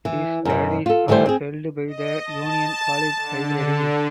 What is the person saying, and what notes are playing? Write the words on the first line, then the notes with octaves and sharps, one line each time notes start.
His diaries are held by the Union College library.
E3
F#2 B2
F4 A4
D3 E3 G3 A3 C5
C4 G#4
D#5
A5
D3